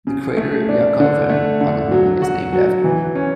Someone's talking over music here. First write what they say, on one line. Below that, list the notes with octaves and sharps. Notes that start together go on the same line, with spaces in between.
The crater Yakovkin on the Moon is named after him.
C#3
A3
D4
D3
A3
D3
F#3
F#4
F#3
E3
C#4